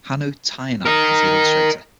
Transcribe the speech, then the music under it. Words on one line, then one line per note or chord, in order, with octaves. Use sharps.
Hannu Tainan is the illustrator.
A#4 D#5